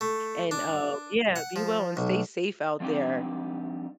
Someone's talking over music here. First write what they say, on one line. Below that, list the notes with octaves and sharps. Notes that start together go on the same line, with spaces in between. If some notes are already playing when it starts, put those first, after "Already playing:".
and, uh, yeah, be well and stay safe out there.
A3
D4
F#5
F3
B1
F3 G3 C4 D4 D#4 G4